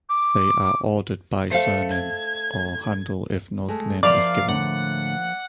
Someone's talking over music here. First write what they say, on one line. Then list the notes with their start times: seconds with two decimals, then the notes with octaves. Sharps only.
They are ordered by surname, or handle if no name is given.
0.10 D6
1.51 A3 C5 F5 C#7
1.92 G#6
3.68 G#3 A3
4.03 F3 A#3 D5 E5 F5
4.48 A2 D3 F#5